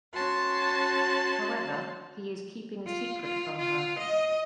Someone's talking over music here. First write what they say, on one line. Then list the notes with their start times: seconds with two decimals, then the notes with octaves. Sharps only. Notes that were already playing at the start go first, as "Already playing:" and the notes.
However, he is keeping a secret from her.
0.14 C#4 F#4 A5 C6
2.87 F4
3.23 F4
3.58 F4
3.99 D#5